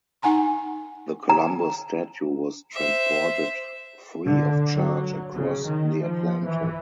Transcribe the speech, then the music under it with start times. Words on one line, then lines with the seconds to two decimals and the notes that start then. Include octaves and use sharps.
The Columbus statue was transported free of charge across the Atlantic.
0.22 D#4 F#5 G#5 A#5 C6
1.29 A#5
2.74 C5 E5
4.26 D3
4.75 F#3
5.33 C#3
5.67 D#3
6.02 F3
6.47 E3